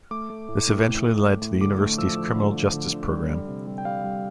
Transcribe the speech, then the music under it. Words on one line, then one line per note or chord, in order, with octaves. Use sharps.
This eventually led to the university's criminal justice program.
A3 D6
A3
A2
A2
A2
A3
A2
A2
D3 D6
A3
F3 E6
F3
D3
F3
D3
D3
G3
G3
C3
G3
G5
G3 F5
G3